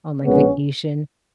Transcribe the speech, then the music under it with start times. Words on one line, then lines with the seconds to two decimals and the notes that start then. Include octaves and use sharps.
on, like, vacation.
0.24 A#1 A#2 G#3 B3 C#4